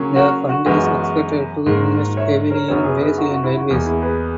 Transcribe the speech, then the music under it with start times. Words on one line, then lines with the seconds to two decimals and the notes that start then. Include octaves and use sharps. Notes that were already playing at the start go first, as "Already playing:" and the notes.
The fund is expected to invest heavily in Brazilian railways.
Already playing: C#3 F#3 A#3 C#4
0.16 F#4 A#4
0.49 F#4
0.66 F#2 E3 G#3 B3 F#4
0.83 F#4
0.99 F#4
1.66 G#2 D#3 A#3
2.17 C#5 E5
2.50 A#4 C#5
2.68 F#2 C#3 F#3 B3 A#4 C#5
2.84 G#4 B4
3.02 G#4 B4
3.18 F#4 A#4
3.31 F#4
3.44 E4
3.57 F#4
3.69 E2 B2 A#3
3.86 E4 G#4
4.02 G#4 B4